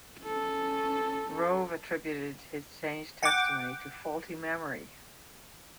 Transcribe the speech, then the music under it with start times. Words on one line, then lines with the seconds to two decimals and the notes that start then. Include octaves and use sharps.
Rove attributed his changed testimony to faulty memory.
0.23 C#4 A4
3.23 F#5 G5 D6